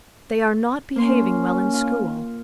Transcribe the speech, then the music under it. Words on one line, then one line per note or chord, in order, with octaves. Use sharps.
"They are not behaving well in school."
A#3 C#4 C6
F4